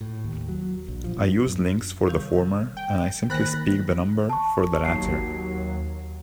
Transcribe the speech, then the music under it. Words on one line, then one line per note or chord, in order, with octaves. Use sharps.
I use "links" for the former and I simply speak the number for the latter.
A2
D#2
F#3
A#1
F3
G2
F#2
C3 D#3 G3
G5
D#3 A#3 C5 B5 F#6 A#6
A5 C#6
D#2 F#3 C7